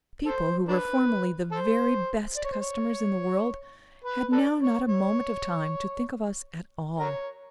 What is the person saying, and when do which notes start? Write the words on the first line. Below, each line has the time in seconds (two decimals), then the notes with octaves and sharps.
People who were formerly, the very best customers in the world, had now not a moment of time to think of us at all.
0.26 A4 C5
0.68 D4 B4
1.52 A4 C5
2.36 D5
2.45 C#5
2.52 C5
2.61 C#5
4.05 B4
4.32 A4 B4 D5
4.61 C#5
4.88 C#5
6.99 A#4 C#5